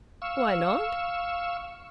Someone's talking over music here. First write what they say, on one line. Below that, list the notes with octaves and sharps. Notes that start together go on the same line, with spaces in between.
"Why not?"
F5 C#6 E6